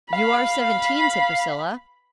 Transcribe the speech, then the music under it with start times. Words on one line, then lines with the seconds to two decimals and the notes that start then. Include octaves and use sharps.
"You are seventeen," said Priscilla.
0.13 F5 B5